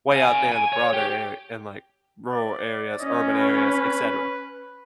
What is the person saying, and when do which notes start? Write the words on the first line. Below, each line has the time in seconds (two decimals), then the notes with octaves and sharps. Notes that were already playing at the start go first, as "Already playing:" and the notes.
way out there in the broader are and, like, rural areas, urban areas, etcetera.
0.12 F5 G#5
0.52 G#5
0.73 C#5
0.94 G4
2.33 D5
2.99 C#4 D#5
3.34 B4